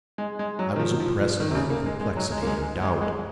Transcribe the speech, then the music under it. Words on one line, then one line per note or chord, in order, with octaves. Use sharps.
I was oppressed with perplexity and doubt.
G#3
G#3
F#3
D#3
F3
F3
F3
D#3
C3
C#3
A#3
G#3
G#3
F#3
G#3
A#3
G#3
G#3
G#3
G#3